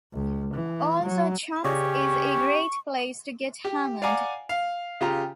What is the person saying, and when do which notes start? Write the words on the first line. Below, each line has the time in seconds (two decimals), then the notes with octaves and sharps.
Also Chums is a great place to get hammered.
0.13 C#2
0.54 E3
1.03 F#3
1.65 C#3 C#4 G4 D5 D#5 C#6
3.65 G4
4.02 D5 F5 F#5 G#5 A#5 D6
4.49 F5
5.01 C#3 F4 G4 A#5